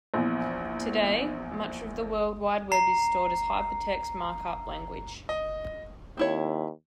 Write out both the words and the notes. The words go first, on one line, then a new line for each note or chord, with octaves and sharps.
Today, much of the World Wide Web is stored as Hypertext Markup Language.
A#1 E2
A#5 C7
D#5
D#2 C4 E4 C#5